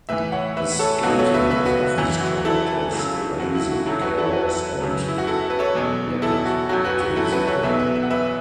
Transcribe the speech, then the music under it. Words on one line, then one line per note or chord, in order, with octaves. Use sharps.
His skating was often described as "lazy", "careless" and "lackadaisical".
A2 E3 B4 E5
C#5 F#5
B4 E5
A4 C#5
C#2 B2 F#3 F#4 B4
A4 C#5
B4 E5
B4 E5
F#4 B4
F#2 E3 E4
F#4
E4 A4
C#2 C#3 F#3
F#4
E4
F#4
F#2 F#3 E4 A4
F#4 B4
E4 A4
C#5
F#4 B4
F#2 C#3 F#3
E4
F#4
E4 A4
B4
A4 C#5
E2 B2 F#3
E4 A4
F#4
F#2 F#3 F#4
F#4 B4
F#4
E4 A4
F#4 B4
A4 C#5
E2 B2 F#3 B4 E5
B4 E5
E5
F#5
B4 E5